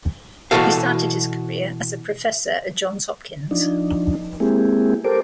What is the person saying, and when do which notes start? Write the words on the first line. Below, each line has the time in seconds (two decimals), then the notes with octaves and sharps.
He started his career as a Professor at Johns Hopkins.
0.51 B2 E3 A3 F#4 A4 F5
3.51 F3 D4 D#4
4.40 G#3 A#3 C4 E4 G4 G#4
5.04 G4 A4 A#4 C5 D6